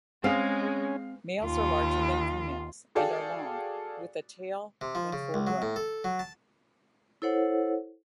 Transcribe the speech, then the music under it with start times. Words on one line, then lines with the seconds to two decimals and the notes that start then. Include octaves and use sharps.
Males are larger than females and are long, with an tail when full-grown.
0.24 G#3 C4 C#4 F5
1.42 D#2 F4
2.95 F#4 G#4 A4 D5 F5 G5
4.81 C3
4.95 F3
5.13 C#3
5.34 C#2
5.47 F#3
5.62 A2
5.76 A4
6.04 F#3
6.19 A5
7.22 E4 A4 C5 C#5 F#5